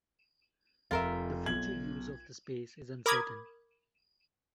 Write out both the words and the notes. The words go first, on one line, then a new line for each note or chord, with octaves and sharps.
The future use of the space is uncertain.
F1 F4 A#4 E5
B1 G#6 F#7
A#4 B5 D6 D#6 G#6